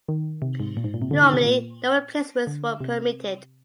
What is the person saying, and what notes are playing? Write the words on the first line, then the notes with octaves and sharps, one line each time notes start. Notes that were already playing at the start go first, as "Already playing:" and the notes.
Normally no replacements were permitted.
D#3
C3
G#2
A#2
G#2
A#2
C3
D3
D#3
C3
A#2
D3
C3